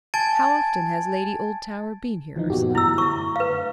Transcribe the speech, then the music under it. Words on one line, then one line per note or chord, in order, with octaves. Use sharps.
"How often has Lady Oldtower been here, Ursula?"
G#5 A5 G#6 A6 D7
E3 F3 D#4
G2 A#2 E3 B3 F#4 G4
F#2 D3 A3 E4 A#5 E6
E4 C#6
B4 F5